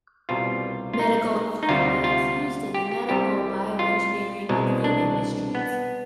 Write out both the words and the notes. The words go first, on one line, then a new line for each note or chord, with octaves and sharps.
Medical and fluid bags used in the medical, bioengineering and food industries.
C2 B2 G3 F4
F4
D#4
D#4
D2 C3 G3 F4
F4
G4
G4
C2 C3 G3 G4
F4
C2 B2 G#3
D4
B3